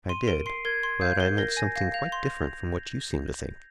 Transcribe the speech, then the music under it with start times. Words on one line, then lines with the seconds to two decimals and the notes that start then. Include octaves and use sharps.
"I did; but I meant something quite different from what you seem to think."
0.09 C6 D#7
0.28 A#4 D7
0.46 C6 C7
0.65 A#4 G#6
0.83 C6
1.01 F5 G6
1.20 A#4
1.38 A#4 A#6
1.57 G#5 A#6
1.76 F5 A#6
1.94 F5 F7
2.12 C6